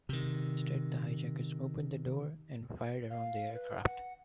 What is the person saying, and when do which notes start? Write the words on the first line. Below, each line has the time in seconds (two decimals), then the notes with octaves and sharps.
Instead, the hijackers opened the door and fired around the aircraft.
0.09 C3 D#3
3.10 F5
3.54 B4
3.82 F#5